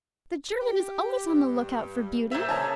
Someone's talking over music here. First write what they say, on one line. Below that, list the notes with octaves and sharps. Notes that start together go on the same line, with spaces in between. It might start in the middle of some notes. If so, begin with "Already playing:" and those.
The German is always on the lookout for beauty.
G4
G2
A#2 C5 E5
C#3 G#4 A5 A#5